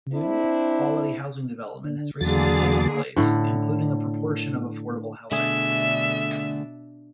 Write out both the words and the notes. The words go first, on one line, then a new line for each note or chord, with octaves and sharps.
New, quality housing development has recently taken place, including a proportion of affordable housing.
C4 D4 E4
D3
E2 D3 F#3 A#3 G#4 A6
A2 D3
B2 D3 A3 D4 G#4 E5